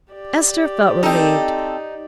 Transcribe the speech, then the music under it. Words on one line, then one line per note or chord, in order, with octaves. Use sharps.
Esther felt relieved.
G4 D5
C4 D#4 A4